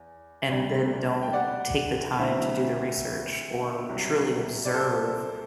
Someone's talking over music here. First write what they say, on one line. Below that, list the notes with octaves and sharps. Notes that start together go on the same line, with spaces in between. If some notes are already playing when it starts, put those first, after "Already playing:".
and then don't take the time to do the research or truly observe
Already playing: E2
D2 C3 G3 D4
G5
D5 F#5
D2 D3 F#3 C4 E4 C5 E5
C2 C3 F#3
D5
A4 C5